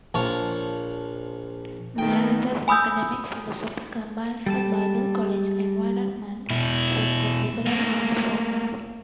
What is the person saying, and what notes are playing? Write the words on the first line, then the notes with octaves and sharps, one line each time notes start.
Maranatha's academic philosophy combines a Bible college environment with a liberal arts focus.
A#1 F3 C#5
D#3 A3 B3 G5
G#5 B5 D#6 E6 G6
G3 A4 A5
B2 E4
A3 A#3